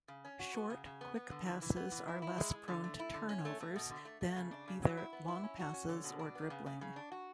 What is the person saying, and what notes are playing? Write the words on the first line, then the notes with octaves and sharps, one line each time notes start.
Short, quick passes are less prone to turnovers than either long passes or dribbling.
C#3
C#4
F#4
B3
C#3
C#3
B3
B3
D3
E3
E3
B3
E3
E4
E4
G#3
G#3
D3
A3
E4
D3
C#4
A3
A3
B2
D3
A3
A3
C#3
D4
C#3
F#3
E4
B3
E4
C#4
F#4
C#4
D3
B2
D4
B3
C#3
C#3
C#3
D4
F#4